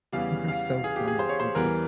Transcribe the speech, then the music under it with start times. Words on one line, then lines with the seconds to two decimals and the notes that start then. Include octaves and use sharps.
They're so funny. It's just
0.12 E2 C#3 E3 G3 F5
0.48 F5
0.84 G#4
0.96 G4
1.08 G#4
1.19 C5
1.29 C#5
1.40 C5
1.55 E2 E3 G3 A#4